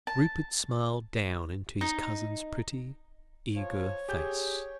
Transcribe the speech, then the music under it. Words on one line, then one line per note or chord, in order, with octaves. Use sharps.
Rupert smiled down into his cousin's pretty, eager face.
A5
D#4
F3 C#5
G4 G#4 G6